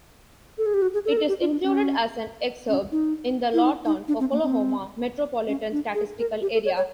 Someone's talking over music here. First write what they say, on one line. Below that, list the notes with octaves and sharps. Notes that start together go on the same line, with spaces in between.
It is included as an exurb in the Lawton, Oklahoma, Metropolitan Statistical Area.
A4
G#4
G4
F#4
G#4
A4
A#4
A4
G4
F4
D4
C#4
C#4
D#4
E4
D#4
D#4
D4
C4
A#3
C4
C#4
D4
G#4
A#4
G4
A4
C#5
C#5